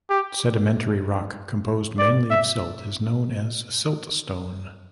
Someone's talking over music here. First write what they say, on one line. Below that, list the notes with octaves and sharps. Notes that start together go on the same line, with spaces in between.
Sedimentary rock composed mainly of silt is known as siltstone.
G4
D5
E5